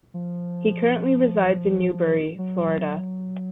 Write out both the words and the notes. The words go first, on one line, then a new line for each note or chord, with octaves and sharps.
He currently resides in Newberry, Florida.
F3
F#3